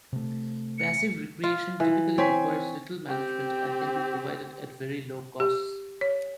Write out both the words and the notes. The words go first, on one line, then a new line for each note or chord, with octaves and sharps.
Passive recreation typically requires little management and can be provided at very low costs.
C3 A3
C#7
F4
E3
C4 C#5 G#5 B6
C4 G4
G4
C#5